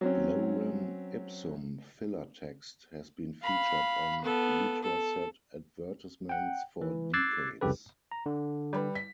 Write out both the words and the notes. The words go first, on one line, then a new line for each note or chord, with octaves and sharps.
Lorem Ipsum filler text has been featured on Letraset advertisements for decades.
F#3 C4 C#4
F5 B5
B3 A4
A4
F#5 G5
E3
D6 E6 F#6 G#6 A6 C7
C2 F2 C#3 G4 A4 B4
A#5
D3
G3 B4
B6